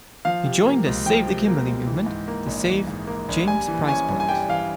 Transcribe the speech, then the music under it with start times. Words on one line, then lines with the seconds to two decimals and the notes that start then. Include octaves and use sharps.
He joined the Save the Kimberley movement to save James Price Point.
0.25 F3 F5
0.45 C3
0.66 A#3
0.87 C#2
1.06 F3 G5
1.26 C3
1.47 A#3
1.67 C#2
1.87 E3
2.06 G#2
2.28 A#3
2.47 A#1
2.68 E3
2.88 G#2
3.07 A#3
3.29 A#1
3.48 G3 G#5
3.68 E3
3.88 C#4 G#5
4.09 G2
4.20 G#5
4.29 G3 G5
4.48 E3 F5